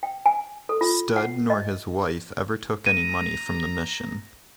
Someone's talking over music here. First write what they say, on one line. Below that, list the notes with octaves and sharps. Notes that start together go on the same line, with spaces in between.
Studd nor his wife ever took any money from the mission.
G5
G#5
A4
F4
F#5
D#5
A#5 D#7